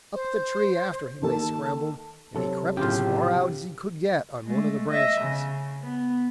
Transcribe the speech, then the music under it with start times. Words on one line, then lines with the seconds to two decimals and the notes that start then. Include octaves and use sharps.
Up the tree after him they scrambled, and he crept as far out as he could get on one of the branches.
0.14 C5
1.22 D#3 A#3 A4 A5
2.36 C3 F#3 A4
2.77 G1 A2 C#3 F4 G4
4.45 G#3 A3
4.90 D#5 E5
5.21 C#3
5.82 B3